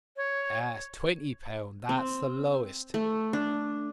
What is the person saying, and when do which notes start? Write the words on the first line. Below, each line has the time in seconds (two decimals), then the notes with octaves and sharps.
Yes, twenty pound--that's the lowest.
0.17 C#5
1.89 C4
2.94 A3
3.33 D4